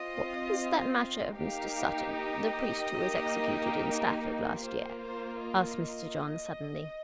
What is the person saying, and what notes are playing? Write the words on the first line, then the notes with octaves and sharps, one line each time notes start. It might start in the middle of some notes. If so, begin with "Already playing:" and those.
"What was that matter of Mr. Sutton, the priest who was executed in Stafford last year?" asked Mr. John suddenly.
Already playing: C4 F4 D#5
A#3 D#4 G4 F5
D#5
A#3 D#4 G4
A#3 F4 C5
C5
D#5